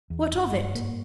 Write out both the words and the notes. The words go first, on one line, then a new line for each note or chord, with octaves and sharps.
What of it?'
E2
G1
G2
G#2 A#3